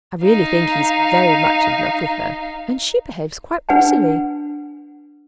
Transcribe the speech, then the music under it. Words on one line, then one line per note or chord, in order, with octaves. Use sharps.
I really think he is very much in love with her, and she behaves quite prettily.
D#4 F5
D4 B4 F#5 G#5 A5